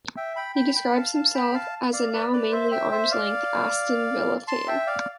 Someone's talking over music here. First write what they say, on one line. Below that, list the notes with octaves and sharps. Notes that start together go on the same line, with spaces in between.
He describes himself as a now mainly 'arms length' Aston Villa fan.
E5 G5
G5 B5
G5 B5
G5 B5
F5 A5
F5 A5
G5 B5
F5 A5
D5 F5
B4 D5
B4 D5
C5 E5
E5 G5
C5 E5
D5 F5
A5 C6
E5 G5
D5 F5